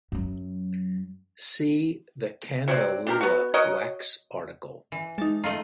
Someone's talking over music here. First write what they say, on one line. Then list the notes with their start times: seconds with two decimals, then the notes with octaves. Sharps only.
See the candelilla wax article.
0.12 F#2 F#3
2.68 C3 F#3 C4 D5
3.07 D4 G4 A#4
3.21 B3 F#4
3.54 F#4 A#4 C#5 D#5
4.92 E3
5.18 G#3 D#4 A5
5.44 A3 D#4 F4 A#5